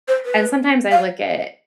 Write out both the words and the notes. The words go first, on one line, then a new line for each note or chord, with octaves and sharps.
And sometimes I look at
C5
B4
F5